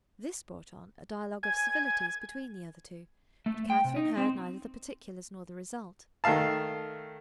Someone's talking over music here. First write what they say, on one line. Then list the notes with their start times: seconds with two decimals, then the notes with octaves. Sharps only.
This brought on a dialogue of civilities between the other two; but Catherine heard neither the particulars nor the result.
1.43 G#5
3.46 A3
3.70 G5
3.84 C3
3.96 D#4
4.17 C4
6.24 D#3 A3 E5 F5 A5